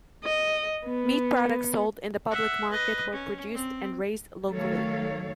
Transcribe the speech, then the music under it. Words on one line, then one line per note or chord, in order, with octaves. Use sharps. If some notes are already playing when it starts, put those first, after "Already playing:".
Meat products sold in the public market were produced and raised locally.
D#5
B3
E5 F#5
B4 D#5
C#4
C4
D#3 F#3 A3 A4 C#5 F5